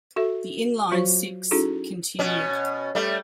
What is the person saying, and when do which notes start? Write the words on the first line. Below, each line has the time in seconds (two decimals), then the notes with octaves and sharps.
The inline six continued.
0.16 F#4 A4 E5
0.92 F#3 F4 F#4 C5 F5
1.51 C#4 D#4 E4 F#4 G#4 A4
2.19 B2 C#4
2.95 G3 A3